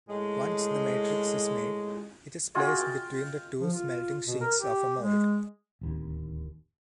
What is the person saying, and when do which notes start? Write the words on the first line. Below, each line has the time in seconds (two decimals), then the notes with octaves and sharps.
Once the matrix is made, it is placed between the two smelting sheets of a mold.
0.08 A2 G#3
2.55 F4 F#4 G#4 D#5
2.78 F5 G5
3.60 F3
3.73 F4
4.26 B2
4.41 A#4
4.60 G4
4.98 G#3
5.81 D1 D#2